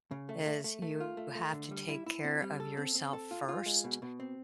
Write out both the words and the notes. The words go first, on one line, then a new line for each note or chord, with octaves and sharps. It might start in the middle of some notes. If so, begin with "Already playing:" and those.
is you have to take care of yourself first.
C#3
A3
A3
A3
A3
F4
A3
A3
D3
G3
E4
E4
C4
G3
A4
C4
C4
A4
F4
F4
G#3
B2
B2
C4